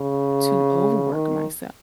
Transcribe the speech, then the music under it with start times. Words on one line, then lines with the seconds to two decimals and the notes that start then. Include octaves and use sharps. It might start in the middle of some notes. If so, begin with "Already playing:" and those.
to overwork myself,
Already playing: C#3
1.13 D#3